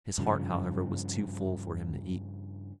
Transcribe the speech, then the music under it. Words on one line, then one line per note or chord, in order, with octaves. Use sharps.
His heart, however, was too full for him to eat.
G2 C#3 F3